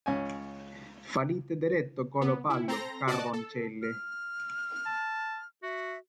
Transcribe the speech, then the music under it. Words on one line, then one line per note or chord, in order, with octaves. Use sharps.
Falite dereto colo palo, Carvoncelle!
C#2 C#4 G#5
B3
E4
C4 A4 A#5 C6 A#6
F#4 D5 D#5 A5 D6
A4
F6
A5
F#4 E5